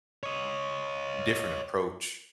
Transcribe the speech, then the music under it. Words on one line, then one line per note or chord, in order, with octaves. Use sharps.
different approach
C#5 D#5